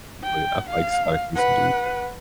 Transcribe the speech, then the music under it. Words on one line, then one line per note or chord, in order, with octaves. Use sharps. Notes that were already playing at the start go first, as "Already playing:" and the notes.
but, I finds finds things to do.
G5
F5
B4 F#5